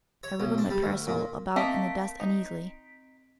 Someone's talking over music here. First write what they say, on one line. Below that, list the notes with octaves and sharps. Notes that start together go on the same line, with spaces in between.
I wriggled my parasol about in the dust uneasily.
C#5
B1
D4
G3
D2
A#2
A3 A#3 C4 D#5 B6 D7
D#4